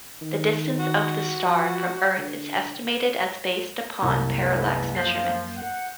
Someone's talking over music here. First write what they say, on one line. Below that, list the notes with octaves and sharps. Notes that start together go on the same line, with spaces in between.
The distance of this star from Earth is estimated as based upon parallax measurements.
D#3
F#4
F3
D3
C2 F#2 A#3
E3 G#3 B3
F3 G6 C7
F#5